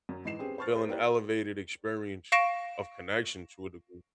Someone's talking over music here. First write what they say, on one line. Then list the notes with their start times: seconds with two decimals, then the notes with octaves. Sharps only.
feel an elevated experience of connection to a degree.
0.09 F#2 F#3
0.25 G#2 E3 D#5 C7 E7
0.39 C4 C#4 G4 G#4 B4
0.58 C5 A5 C#6 F6 A6
0.74 G#4 A#4 C5
0.89 A#3 E4 G4 D5
2.32 F5 C#6 A#6 D7 E7